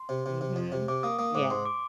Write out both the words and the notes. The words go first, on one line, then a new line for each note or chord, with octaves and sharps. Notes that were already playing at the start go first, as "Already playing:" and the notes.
Mhm, yeah.
Already playing: C6
C3
C3
C3
F2
C3
C3 D6
A#3 D#6
A#3 D#6
G#2 D6
G#2 C6
D6